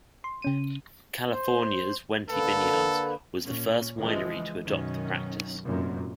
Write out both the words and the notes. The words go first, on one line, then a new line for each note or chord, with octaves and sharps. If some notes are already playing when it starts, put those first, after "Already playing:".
California's Wente Vineyards was the first winery to adopt the practice.
C6
C#3 C#4 D#7
C5
D3 A#3 A4 B4
A#2 C#4
C#2 E3 F3 G#3
F#2 B2 D#3 C#4
F1 F#2 A#2